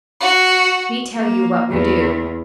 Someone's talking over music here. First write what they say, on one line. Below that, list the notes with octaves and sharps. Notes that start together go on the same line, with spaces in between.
Me tell you what we do.
F#4
A#3
E2